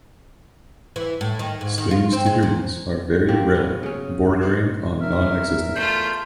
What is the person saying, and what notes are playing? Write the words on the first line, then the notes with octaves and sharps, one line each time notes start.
Stings to humans are very rare, bordering on non-existent.
E3
A2
D#3
G#2
D#3
F4
C4
G#3
A#2
A#3 C4 F#4 G4
F#3 A#3 B3 C#4
C#3 C#4
D#4 C5
E2 A#4 E5 F6
A3 F4 G6